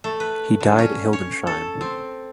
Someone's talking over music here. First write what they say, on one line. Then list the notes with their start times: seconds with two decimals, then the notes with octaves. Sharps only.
He died at Hildesheim.
0.04 A3
0.20 B4
0.60 D3
0.79 C#4
1.13 C#5
1.47 A4
1.81 C4